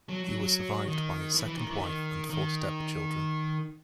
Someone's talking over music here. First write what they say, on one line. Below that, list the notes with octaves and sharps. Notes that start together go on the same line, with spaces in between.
He was survived by his second wife and four step-children.
F#3
F#3
F#3
D#3
E3
E3
D#3
E3
D#3
D#3